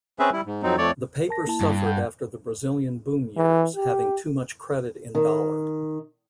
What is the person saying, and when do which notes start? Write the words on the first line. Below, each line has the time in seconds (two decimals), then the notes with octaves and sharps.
The paper suffered after the Brazilian boom years having too much credit in dollar.
0.19 C4 C#4 G#4 B4 E5
0.33 G3 E4
0.46 G#2
0.63 F2 F#3 C4 D#4
0.78 F2 A3 C#5 D5
1.29 A#4 A5 A#6
1.47 A#3 E4 A5
1.61 G2
1.85 F#5 G6
3.37 E3
3.76 G4
5.15 D#3